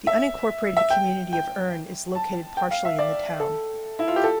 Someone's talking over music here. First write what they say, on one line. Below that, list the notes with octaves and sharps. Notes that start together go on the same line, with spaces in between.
The unincorporated community of Urne is located partially in the town.
E5
E5
G5
G5
A5
G5
F5
E5
D5
A4
E4
F4
G4
A4